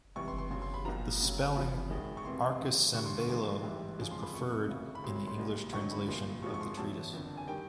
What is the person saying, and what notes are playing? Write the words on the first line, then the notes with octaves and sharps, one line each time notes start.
The spelling 'archicembalo' is preferred in the English translation of the treatise.
C#2 C3 E3 G3 C#6
C6
C6
E2 C#3 F#3 C6
C6
B5
B1 A#2 F3 A#5
D2 C#3 F#3
E2 C3 F3 B5
G#1 F#2 D#3 G#3
C#6
E2 C3 E3 C6
D#2 C#3 F#3
D2 D3 G3 C#6
C6
C#6
A1 G#2 F3 G#3 C6
A1 G#2 E3 G3
F2 C#3 F3 G#3
C6
B5
F1 F2 C3 C#6
G#1 F#2 C#3
B5
C2 B2 F#3 C6
B5
C6
B1 A#2 G3
F1 D#2 D3 F#3 C#6
B5
C2 A#2 F3 C6
G#1 G#2 F3 G#3 C#6
C#6
C6
E2 B2 F#3 A5
F#1 F2 D3
G#5
D#3 G3 G5